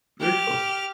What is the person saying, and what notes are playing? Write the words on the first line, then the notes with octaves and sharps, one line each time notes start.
Very cool.
G4 F6